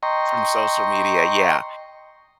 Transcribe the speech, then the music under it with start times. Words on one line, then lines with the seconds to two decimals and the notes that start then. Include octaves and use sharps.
from social media, yeah,
0.03 D#5 G5 A#5 C6 C#6